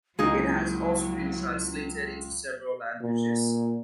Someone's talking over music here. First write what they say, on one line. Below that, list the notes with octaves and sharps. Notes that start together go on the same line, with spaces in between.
It has also been translated into several languages.
C#2 F#3 A#3 D#4 E4 G#4
A#2